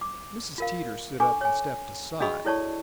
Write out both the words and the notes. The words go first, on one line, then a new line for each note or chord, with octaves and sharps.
Mrs. Teeter stood up and stepped aside.
D6
F4 A#4 F5
D4 A4 G#5 C#6 D6
C#5 G#5
D4 F#4 G#4 D#5 B5 C#6
E4 A4 C#5 D5 A5 C#6